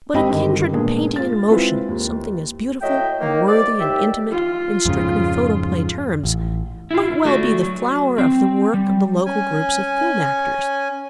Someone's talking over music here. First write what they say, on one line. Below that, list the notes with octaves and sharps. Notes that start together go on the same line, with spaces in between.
But a kindred painting-in-motion, something as beautiful and worthy and intimate, in strictly photoplay terms, might well be the flower of the work of the local groups of film actors.
G#1 C4 G4 D#5 G5 B5
G2 D3 D#3
A#2 G#3 A#3 B3 D4 G#4
F4 A6
G#3 C4 E4 F4 B4
D#2
A2 F#3 D#5 E5 G5
D#3 A#3
C2 D5
D#2 G4 E5
F4
F2 G#2 C#3
A1
E4 F4
A3 F#4 D5
F#3
C4
G3
C#4 G#5